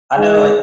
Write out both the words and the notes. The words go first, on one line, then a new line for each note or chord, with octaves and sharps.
I know, like
G#3